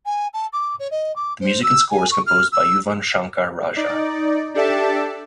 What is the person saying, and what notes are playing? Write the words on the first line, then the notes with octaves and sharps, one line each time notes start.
The music and score is composed by Yuvan Shankar Raja.
G#5
A5
D6
C#5
D#5
D6
C5
E6
G#5
C#6
F6
E6
D#4 D5
D4 G4 A4 D5 E5 A5